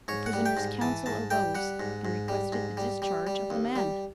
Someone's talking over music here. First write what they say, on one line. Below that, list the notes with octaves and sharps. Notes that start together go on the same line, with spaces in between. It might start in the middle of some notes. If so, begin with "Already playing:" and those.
The prisoner's counsel arose and requested the discharge of the man.
G#2 C#5
F#5
G3
G5
G#2
E3 A5
G#2 A5
G3 G5
G3 F#5
G#2
G#2
G3
G#2
G3
G3
G3
D#2
G3